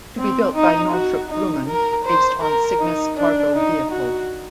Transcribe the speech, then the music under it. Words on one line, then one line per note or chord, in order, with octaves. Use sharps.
To be built by Northrop Grumman based on Cygnus cargo vehicle.
C4
D#4
F#4
D#4
A#4
C5
A#4
D#4
D4
D#4
F#4